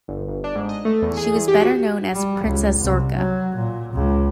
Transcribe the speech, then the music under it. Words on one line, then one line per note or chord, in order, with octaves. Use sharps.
She was better known as Princess Zorka.
G1
G1
D4
G#2
D#5
A3
E2
G#4
E2
G4
F#4
G3
C#2
C2
F#3
A#2
C#2